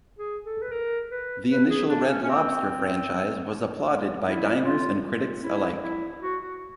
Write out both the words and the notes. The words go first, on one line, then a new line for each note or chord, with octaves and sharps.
The initial Red Lobster franchise was applauded by diners and critics alike.
G#4
A4
B4
A#4
B4
B4
G#4
D4
C#4
C#4
C4
E4
F4
E4
E4
F#4
F#4